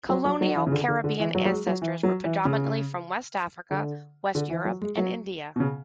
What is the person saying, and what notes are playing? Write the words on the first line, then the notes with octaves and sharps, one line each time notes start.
Colonial Caribbean ancestors were predominantly from West Africa, West Europe, and India.
F#3
F#3
F#3
E3
C#3
D3
D3
D3
E3
F#3
F#3
G#3
F#3
E3
F#3
E3
C#3
D3
D3
E3
F#3
G#3
F#3
B2
C#3